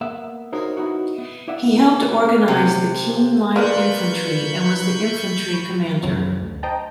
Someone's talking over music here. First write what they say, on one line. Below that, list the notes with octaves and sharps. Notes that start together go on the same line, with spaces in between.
He helped organize the Keene light infantry and was the infantry commander.
A#3 B3 E5 F#5
D#4 F#4 A#4 C5 C#5
B3 D#4 E4 F#4
B3
E4 D5 E5 F#5
C3
A#3 D4 F4 A#4 B4 B5 C#6 G6
B1 F#2 F3 F#3
D2
C5 D#5 G5 A5 A#5